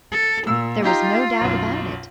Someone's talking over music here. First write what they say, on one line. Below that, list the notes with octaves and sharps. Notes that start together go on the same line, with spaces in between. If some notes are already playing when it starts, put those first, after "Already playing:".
There was no doubt about it.
A4
A#2 E6
D#4 F4 G4 A#5
B1 F#2